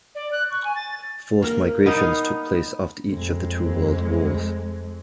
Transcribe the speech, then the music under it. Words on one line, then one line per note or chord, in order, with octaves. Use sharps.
Forced migrations took place after each of the two world wars.
D5
F#6
C#6
G#5
A6
A#3 A#4
B3 D#4 A#4 F5
F2 G#3